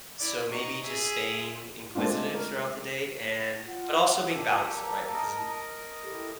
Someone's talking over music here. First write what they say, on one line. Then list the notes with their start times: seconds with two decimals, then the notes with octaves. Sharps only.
So maybe just staying inquisitive throughout the day and but also being balanced, though, right, because n
0.20 E4 D5
0.50 D#4 C#6
0.84 G#4 E5
1.95 G#3 A3 C4 D4 F4
2.34 A#4
3.64 F4 F#5
4.31 A#3 F4 G4 A4
4.71 A5 A#5
5.14 A#4 D#5
6.03 E4 G4 A4